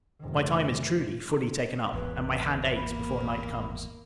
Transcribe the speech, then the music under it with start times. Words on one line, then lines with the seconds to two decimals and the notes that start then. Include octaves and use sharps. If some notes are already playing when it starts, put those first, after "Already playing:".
My time is, truly, fully taken up, and my hand aches before night comes.
0.20 F1 D#3
1.93 G#1 E2 B4
2.76 A#3 B5